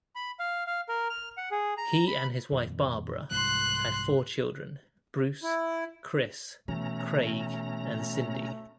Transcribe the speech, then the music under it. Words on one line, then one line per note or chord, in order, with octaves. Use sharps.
He and his wife Barbara had four children, Bruce, Chris, Craig and Cindy.
B5
F5
F5
A#4
F6
F#5
G#4
A#5
B5
D#1 F2
C2 G#2 F3 C6 F#6
E4
B2 E3 A3 C#4 A#5